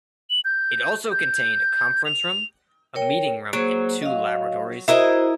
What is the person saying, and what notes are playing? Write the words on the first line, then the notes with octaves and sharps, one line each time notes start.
It also contained a conference room, a meeting room and two laboratories.
F#7
G6
G6
F7
A#4 C#5 G5
F#3 A#3 G#4 C5
D#5 F5
E4 F#4 A#4 C5 D#5